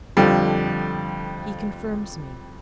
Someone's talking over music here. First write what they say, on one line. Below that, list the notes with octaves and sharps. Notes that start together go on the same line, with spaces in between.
He confirms me.
F2 D3 F3 G3